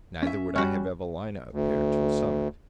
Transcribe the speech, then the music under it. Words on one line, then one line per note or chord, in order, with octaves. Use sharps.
Neither would I have Evelina appear till summoned.
C#4 E5
G3 C#4 F#4
D2